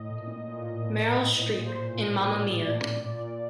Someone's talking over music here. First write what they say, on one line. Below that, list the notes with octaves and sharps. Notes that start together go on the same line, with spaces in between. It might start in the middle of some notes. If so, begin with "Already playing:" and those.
Meryl Streep in Mamma Mia.
Already playing: A2 D#5
A#2
A#2
A2
A2
A#2 C5
A#2
A2 D5
A2
A#2